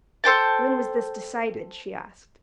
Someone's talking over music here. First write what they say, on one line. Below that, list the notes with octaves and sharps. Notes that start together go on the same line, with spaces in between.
"When was this decided?" she asked.
A4 C5 G5 A5